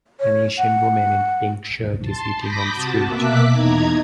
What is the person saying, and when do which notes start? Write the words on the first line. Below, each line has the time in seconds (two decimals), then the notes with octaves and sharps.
An asian woman in pink shirt is eating on the street.
0.20 C#5
0.58 F#5
2.02 A5 C6
2.38 B5 D6 D#6 G6 A#6 B6
2.72 C3 F#4 A5
3.06 B2 A#3 E5 D6 F#6 B6
3.49 E2 D#4 A#5 G#6